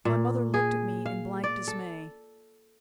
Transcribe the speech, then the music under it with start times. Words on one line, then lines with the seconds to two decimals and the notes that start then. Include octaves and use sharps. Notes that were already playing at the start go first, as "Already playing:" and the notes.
My mother looked at me in blank dismay.
0.05 A#2
0.54 G#4
1.06 F5
1.44 D5
1.68 A4